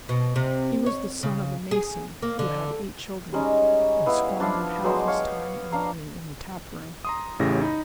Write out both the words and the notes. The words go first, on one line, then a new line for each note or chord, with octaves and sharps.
He was the son of a mason, who had eight children, and squandered half his time and money in the tap-room.
B2
C3
C#5
C#3
G#4
A#3
D3
G3 G#3 C#4 D#4
B3 E4 F5
F3 D4 E4 F5
F#3 G#3 B3 C5
C#5 F5 G5
D4 F5 A#5
A#5 C6 D#6
A1 A2 C#3 G4 A#6
D#4 B5